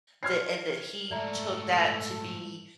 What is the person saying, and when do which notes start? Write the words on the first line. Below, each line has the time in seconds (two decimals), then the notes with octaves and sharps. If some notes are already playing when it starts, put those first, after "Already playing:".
that and that he took that to be
0.23 C5 C#5 C6 F6 G#6 C7
1.11 G#2 A3 A4 D5 E5 A#5